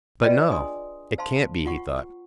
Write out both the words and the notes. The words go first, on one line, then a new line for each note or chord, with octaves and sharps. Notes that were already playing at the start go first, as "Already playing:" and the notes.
"But no, it can't be!" he thought.
F4 B4 D5 D#5 G5 B5
D4 G#4 G#5 C6 D#6
C5 F5 A5 B5 C6
F4 F#5 C#6